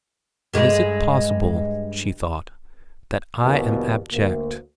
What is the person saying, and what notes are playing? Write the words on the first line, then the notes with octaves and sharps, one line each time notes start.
'Is it possible,' she thought, 'that I am abject?'
G2 G#3
E2 B2 D3 F3 G3 A#3
D2 A#3